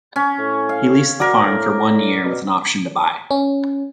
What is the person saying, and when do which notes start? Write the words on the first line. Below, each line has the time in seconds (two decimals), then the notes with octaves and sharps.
He leased the farm for one year with an option to buy.
0.16 C#4
0.38 A2
0.69 F5
1.20 F#4 A#4 D5
1.46 A2
2.24 B2
3.31 C#4